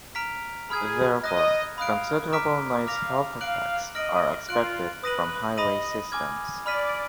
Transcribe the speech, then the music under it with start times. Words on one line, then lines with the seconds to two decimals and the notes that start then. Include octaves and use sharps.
Therefore, considerable noise health effects are expected from highway systems.
0.15 A#5 F6 B6 D7 F7
0.70 G#4 B5 F6 G#6
1.24 D#5 D#6 F#6 A#6
1.78 F5 B5 D#6 F#6 D7
2.33 A#5 D6 F6 B6 D7
2.86 F5 D6 F6 A#6 F7
3.41 F5 F#6 D7 F#7
3.95 D#5 F6 A#6 D7 F#7
4.49 F4 F#6 D7 F#7
5.03 B4 D#6 A#6 D#7 F#7
5.57 D#5 B5 D#6 A#6 D#7 F#7
6.12 G#5 D6 F6 G#6
6.66 D5 B5 F6 B6 D#7 F#7